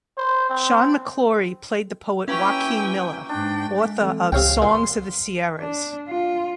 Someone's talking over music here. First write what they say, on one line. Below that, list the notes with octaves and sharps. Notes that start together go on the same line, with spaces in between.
Sean McClory played the poet Joaquin Miller, author of "Songs of the Sierras".
C5
C4
A#3 C#4 E4 F#4 B4 G5 G#5
G#2 D4 G5
G#3 D#5 F#6
E3 C4 A4
C#2 C3 C#5 F5 G5
A#2 C6
D4
F4